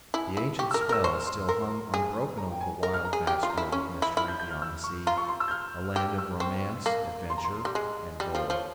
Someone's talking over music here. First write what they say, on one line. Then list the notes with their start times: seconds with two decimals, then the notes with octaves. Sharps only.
The ancient spell still hung unbroken over the wild, vast world of mystery beyond the sea,--a land of romance, adventure, and gold.
0.14 E4 G#5
0.37 E4
0.59 G4 C#6
0.71 E6
0.74 A#4
0.81 F6
0.89 A#4 E6
1.04 C5 C#6
1.27 C6
1.49 A#4 C6
1.94 G#4
2.38 A#5
2.52 G5
2.61 G#5
2.83 A#4 A#5
2.94 F6
3.05 A#5
3.13 G#4
3.27 G4 G5
3.43 F4 C6
3.50 A#5
3.57 E4
3.72 C#4 C#6
4.02 E4
4.17 E4 F6
4.28 G6
4.39 G6
4.51 F6
4.62 E6
4.84 C#6
5.07 F4 A#5
5.17 C#6
5.28 C6
5.40 E6
5.48 G6
5.51 F6
5.95 G4 F6
6.19 E6
6.40 C4 C#6
6.86 A#3
7.30 C6
7.37 A#5
7.44 C6
7.65 G3
7.75 G#3
8.20 G3 G5
8.35 F3 C5
8.50 F3 C#5